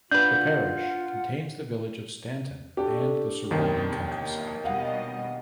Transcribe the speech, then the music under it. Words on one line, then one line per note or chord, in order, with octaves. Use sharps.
The parish contains the village of Stanton and the surrounding countryside.
D4 F4 B4 F#5 G6
D4 G4 A4 C#6
D#2 B2 D#3 G3 C4
A#3
B2 G3 D#5 F5 F#5